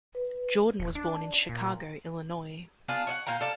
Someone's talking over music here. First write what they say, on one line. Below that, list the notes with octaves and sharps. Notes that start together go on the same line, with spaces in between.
Jordan was born in Chicago, Illinois.
B4
D#1
D4
A#2
B3 D4 F4 G#4
C#5 D#5 F#5
A#2 F5 G5 A#5
A4 D5 F5